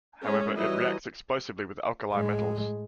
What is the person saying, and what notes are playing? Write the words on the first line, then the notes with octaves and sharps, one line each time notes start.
However, it reacts explosively with alkali metals.
G#3 C#4
E3 F#3 G3 E4 D#5
A2 G#3